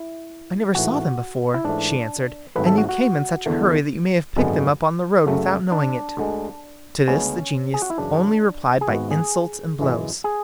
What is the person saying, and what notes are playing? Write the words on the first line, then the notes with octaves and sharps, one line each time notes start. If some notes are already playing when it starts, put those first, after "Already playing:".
"I never saw them before," she answered, "and you came in such a hurry that you may have picked them up on the road without knowing it." To this the genius only replied by insults and blows.
Already playing: E4
A1 G#2 E3 A3 F#4
E4
G#2 E3 A3 D4
G#1 G#2 F#3 A3 B4
A4
F#4
F#4
E2 D3 A3
G#1 F#2 D3 G#3 B3
F#2 C#3 F#3 A3
D4
D2 D3 G#3
D2 C#3 G#3 B3 C#4
G#4
F#4
E4
F#2 C#3 E3 D4
G#4
G#1 G#2 G#3 B3 F#4
G#4
G#1 F#2 E3 G#3
G#4